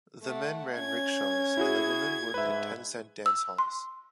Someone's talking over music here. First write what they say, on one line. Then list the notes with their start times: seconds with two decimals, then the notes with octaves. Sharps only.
The men ran rickshaws and the women worked in ten-cent dance halls.
0.23 A3 F#5
0.78 C#4 G#6
1.57 E4 F#4 G#4
2.34 G#2 B4 E5
3.26 E6
3.58 C6